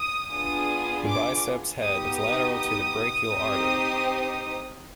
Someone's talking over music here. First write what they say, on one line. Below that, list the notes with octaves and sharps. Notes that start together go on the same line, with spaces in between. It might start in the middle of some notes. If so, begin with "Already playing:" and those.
The biceps head is lateral to the brachial artery.
Already playing: D#6
B3 D4 F4 G#4 D#6
D6
B3 D#4 G4 D#6
D#6
D#6
C4 D#4 G4